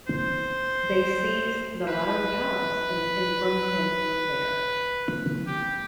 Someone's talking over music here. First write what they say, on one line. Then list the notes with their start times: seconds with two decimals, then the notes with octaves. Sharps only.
They seized the Lateran Palace and enthroned him there.
0.07 C5
1.87 B4
5.47 G4